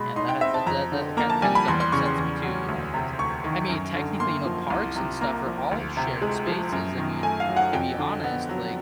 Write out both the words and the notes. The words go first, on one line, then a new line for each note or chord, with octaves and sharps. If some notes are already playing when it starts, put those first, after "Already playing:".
Yeah, that that that that ki kinda stuff upsets me too, you know, 'cause I mean, technically, you know, parks and stuff are all shared spaces, I mean, to be honest, like,
Already playing: B2 G#3 B5 C6
D#4 C6
G5
C4 E5
A5
F2 A#5
D3
A#3 A#5
A5
G3 G#5
B5
E2 C6
C6
C#3 C#6
C6
E2
F#3
D2
C3
D2 C#6
D#3
F#2
D3
A#3 C6
F3
C2
C3
A#3 A#5
F3
D2
C3
G#3
F3
F#2
D#3
A3 G#5
F5
F#3
F#5
F2 G5
D3
B3
F#3